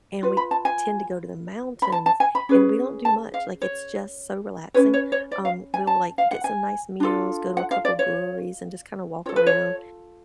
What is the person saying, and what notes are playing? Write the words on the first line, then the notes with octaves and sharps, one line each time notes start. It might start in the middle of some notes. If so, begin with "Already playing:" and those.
and we tend to go to the mountains, and we don't do much, like, it's just so relaxing, um, we will, like, get some nice meals, go to a couple breweries, and just kinda walk around,
F4 B4
B5
A5
G#5
B5
A5
A5
G#5
B5
C#4 G#4 B4
A5
F5
C#5
C#4 F4 B4 C#5
C#5
C#5
D5
F5
G#5
A5
F5
F#5
G#5
D4 F4 A4
F#5
F5
D5
C#5
F4 A4 C#5
B4
C#5